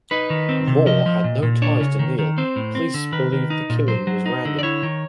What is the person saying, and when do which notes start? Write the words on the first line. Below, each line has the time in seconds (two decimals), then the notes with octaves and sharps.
Moore had no ties to Neal and police believe the killing was random.
0.11 D#4 B4
0.30 D#3
0.49 C4
0.67 C3
0.86 F3 D#5
1.06 F3
1.24 A#2
1.43 A#2
1.62 D4 C#5
1.81 C#3
1.99 D#3
2.19 D#3
2.38 C4 C5
2.56 A2
2.75 C4
2.94 D3
3.12 D#3 B4
3.32 D#3
3.50 D#4
3.70 A#2
3.88 F#3 C5
4.07 F#3
4.26 D#4
4.45 D3
4.59 D5
4.63 E4 C#5
4.83 D#3